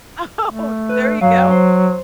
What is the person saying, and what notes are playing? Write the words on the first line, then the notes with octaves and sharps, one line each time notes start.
Oh, there you go.
A3
B4
F#2 F#3 F5
C5